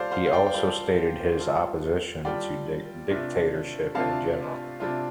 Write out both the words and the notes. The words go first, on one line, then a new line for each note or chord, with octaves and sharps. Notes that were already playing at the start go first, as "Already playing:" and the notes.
He also stated his opposition to dictatorship in general.
Already playing: G3 F4 A4 C5 D5 F5
C5 F5
F5
D5 G5
G3 F4 A4 C5 F5
G3 F4 A4
G3 F4 A4 D5 G5
C3 A3 D4 F4
C3 A3 D4 F4 F5 A5
C3 A3 D4 F4